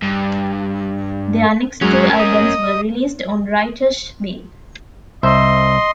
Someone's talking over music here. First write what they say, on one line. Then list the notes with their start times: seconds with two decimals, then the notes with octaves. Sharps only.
Their next two albums were released on Righteous Babe.
0.02 G2
1.81 F#3 G#3 C#4 A#4
2.19 D#5
5.23 C2 C5 D#5 E5 C6